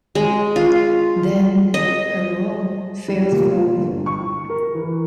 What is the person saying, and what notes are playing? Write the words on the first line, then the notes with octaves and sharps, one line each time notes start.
Then, her role fell through.
G#3
F4
D#5
G3
A#2
F4
G1
C#6
A#4
E3